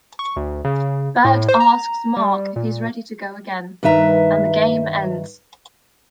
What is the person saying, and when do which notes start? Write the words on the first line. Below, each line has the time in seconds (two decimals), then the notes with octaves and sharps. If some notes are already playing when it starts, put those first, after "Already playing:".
Bert asks Mark if he is ready to go again, and the game ends.
0.19 C#6
0.36 D2
0.65 C#3
1.25 A2
1.48 C5
1.60 A#5
2.17 G3
2.56 A#2
3.83 G2 D#3 B4 E5 A#5